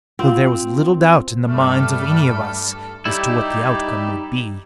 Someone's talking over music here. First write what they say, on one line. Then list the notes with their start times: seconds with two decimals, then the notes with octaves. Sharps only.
Though there was little doubt in the minds of any of us as to what the outcome would be.
0.19 C4 E4 F4
1.47 G2 G3 A3 A4 F6
3.05 G3 D#4 E4 G4